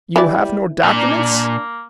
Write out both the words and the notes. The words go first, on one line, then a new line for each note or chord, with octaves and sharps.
"You have no documents?"
E3 G3 E4 D5
A#2 A#3 D4